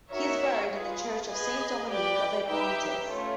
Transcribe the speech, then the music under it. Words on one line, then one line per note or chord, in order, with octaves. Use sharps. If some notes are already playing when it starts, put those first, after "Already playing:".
He is buried in the Church of Saint Dominique of Abrantes.
D#4 F#4 A#4 C#5 E5
F4 G#4 B4
G#4 B4 D#5 G#5
G4 B4 D5 G5
D#4 G4 B4 E5 G5
A3 C#4 F4